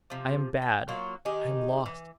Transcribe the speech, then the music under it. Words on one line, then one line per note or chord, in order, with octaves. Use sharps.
'I am bad, I am lost.
C3 F3
G5
F#3 A#3 F4 F#4
D#3 D#4 G4 G#4
E3